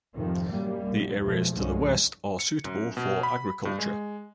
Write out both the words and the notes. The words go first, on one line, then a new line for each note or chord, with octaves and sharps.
The areas to the west are suitable for agriculture.
G#1 F2 C3 D#3 F3
F#2 G3 A#3
A#1 F#2 A#2
B1 E2 B2 F3 G#3 A3
C2 G2 D3 F3 G#3 C#4
C#7
F#2
B2
B5
G2
G#3